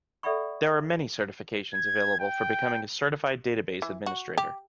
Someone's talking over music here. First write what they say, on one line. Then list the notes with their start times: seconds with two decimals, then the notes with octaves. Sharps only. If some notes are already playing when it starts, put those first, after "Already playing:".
There are many certifications available for becoming a certified database administrator.
0.23 A4 D5 E5 F#5 B5 C#6
1.74 G#6
2.20 G5
3.82 E3
4.06 F#4
4.38 G4